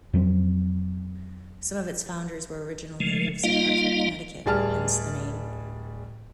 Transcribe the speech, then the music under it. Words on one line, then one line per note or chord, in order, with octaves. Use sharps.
Some of its founders were original natives of Hartford, Connecticut, hence the name.
F2 F#3 G3 C4
C#3 F3 G#3 A3
G3 A#3 D#4 F4 D#5 F5
D1 G3 G#4 A5 F6